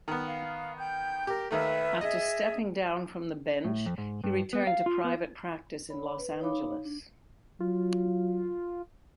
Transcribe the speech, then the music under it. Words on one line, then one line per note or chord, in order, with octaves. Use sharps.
After stepping down from the bench he returned to private practice in Los Angeles.
D#3 B3
F5
G5 G6
G4 A#4
D#2 D#3 A3 B4 E5
G#4 D#5 E5
A2
F2
G#2
G2
B3
F5
F4
B3
C#5 B5
B4
D#4 C#5 F5 B5 D6
D4
F#3 F4